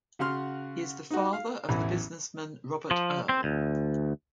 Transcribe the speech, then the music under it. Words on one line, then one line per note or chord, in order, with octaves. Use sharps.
He is the father of the businessman Robert Earl.
C#3 F#4 F#5 C6 F6
D#4 F#4
F5
A1 E2 E3 B5
F3
C4
D2